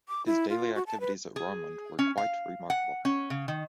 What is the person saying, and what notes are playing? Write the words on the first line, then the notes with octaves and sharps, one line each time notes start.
His daily activities at Roermond were quite remarkable.
D6
E4
F4
F#4
A5
B4
G#4
C#4
F5
F#5
C#4
C#3
D#3